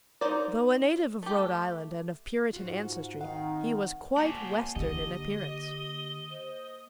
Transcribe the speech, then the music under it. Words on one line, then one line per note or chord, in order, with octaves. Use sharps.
Though a native of Rhode Island, and of Puritan ancestry, he was quite Western in appearance.
D#4 E4 A#4 C5 D5
A3 G4
G#2 F4 F#4
D#3 C4 F5 F#5
A#3 C5 D5 F#5 G#5 A5
D3 G4 D#5
C5